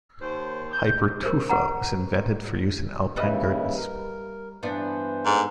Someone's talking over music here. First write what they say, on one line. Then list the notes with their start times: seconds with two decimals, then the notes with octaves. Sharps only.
Hypertufa was invented for use in alpine gardens.
0.20 D#2 C5
0.73 G6
1.23 A#4 C5
1.49 B4 F#5 A#5
3.16 D#2 C#3 G3 E4 B4 D#5
3.77 A#4
4.63 G2 E3 B3 D4 C5
5.26 G#2 D#4 A4